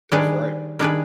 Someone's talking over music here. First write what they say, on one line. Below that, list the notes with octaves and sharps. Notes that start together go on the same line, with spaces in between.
That's right.
D#3 G3 D4 G#4 B4
D#3 G3 D4 G#4 B4